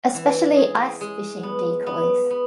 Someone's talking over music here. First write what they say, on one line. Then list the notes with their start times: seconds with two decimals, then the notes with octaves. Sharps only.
Especially ice fishing decoys.
0.14 E3
0.56 G#4
1.01 G#3
1.43 B3
1.87 B3
2.30 B3